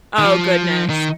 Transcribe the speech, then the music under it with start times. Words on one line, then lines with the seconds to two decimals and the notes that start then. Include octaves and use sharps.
Oh, goodness.
0.19 D#3
0.25 F3
0.90 D#3